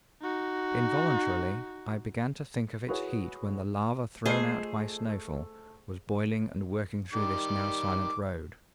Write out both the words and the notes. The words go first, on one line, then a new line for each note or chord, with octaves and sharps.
Involuntarily I began to think of its heat when the lava thrown out by Snaefell was boiling and working through this now silent road.
D#4 F#4
E4 F#4 G#4 B4 C#5 F#5
A3 F4 G#4 C5 D#5 C7
D#3 G3 D6